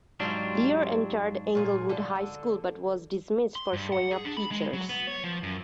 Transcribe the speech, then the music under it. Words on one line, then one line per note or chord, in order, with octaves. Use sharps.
Lear entered Englewood High School but was dismissed for showing up teachers.
G#2 F#3 G3 D4 F4
A#2 F#4 G#4
D3 A4
C6
G2
F#5
G#4
D4
B5
G#3
F#3
B3
C#5
F3
F#2